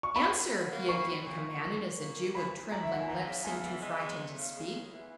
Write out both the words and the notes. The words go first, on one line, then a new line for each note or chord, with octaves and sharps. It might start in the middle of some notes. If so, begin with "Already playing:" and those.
"Answer!" he again commanded, as the Jew with trembling lips seemed too frightened to speak.
C#6
A#3 B5
F#3
F#3
A#3
A#2 C#6
F#3
A#2
A#2
A#3
A#3
A#2
A#3
A#2 B5
A#2
E4 A#5
E5
A#2 F#5
G#5
E3 A#5
C#3
E2 G#5
E3
G#3
E2
E2
C#3
G#3
E2
E3